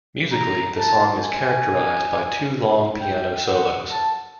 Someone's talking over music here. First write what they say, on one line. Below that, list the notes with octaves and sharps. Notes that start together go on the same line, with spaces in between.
Musically, the song is characterized by two long piano solos.
A#5
A5
G#5
G5
F#5
A5